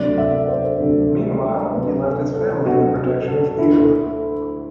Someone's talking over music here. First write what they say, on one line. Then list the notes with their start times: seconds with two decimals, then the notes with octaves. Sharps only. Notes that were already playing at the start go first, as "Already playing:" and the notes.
Meanwhile, he left his family in the protection of Theodore.
Already playing: D2 C3 F#3 A3 D5
0.18 E5
0.48 C5
0.80 D2 C3 F#3 A3
1.72 D2 C3 F#3 A3 B4
2.03 A4
2.34 A4
2.65 D2 C3 F#3 A3 F#4
2.96 F#4
3.28 A4
3.58 D2 D3 A3 E4